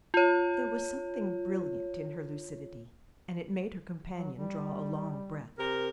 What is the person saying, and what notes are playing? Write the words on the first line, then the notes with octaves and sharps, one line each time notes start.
There was something brilliant in her lucidity, and it made her companion draw a long breath.
F4 C#5
F#3
G3
C3 A#4